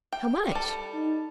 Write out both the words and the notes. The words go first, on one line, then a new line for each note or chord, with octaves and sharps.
"How much?"
G5
G3 A4
D#4